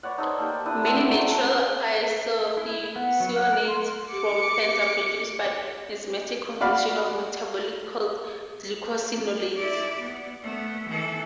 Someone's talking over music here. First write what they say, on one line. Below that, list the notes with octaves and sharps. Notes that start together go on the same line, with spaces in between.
Many natural isothiocyanates from plants are produced by enzymatic conversion of metabolites called glucosinolates.
B4 C#5 D5 F#5
D#4 A4 C5
A#3 G4
D4 E4 D#6
A3 B3 C4
F#3 A3 C6
E4
B3
F#3
F#5
A#4
C6
G4 D6 C#7
F#4 D5 F5 B5
E4 D5
B3
A3 B3
E3 A4